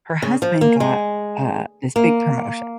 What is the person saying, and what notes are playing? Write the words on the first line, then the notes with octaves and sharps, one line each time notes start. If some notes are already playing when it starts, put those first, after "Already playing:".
her husband got a this big promotion
C#3
F3
A#3
G#3
A#3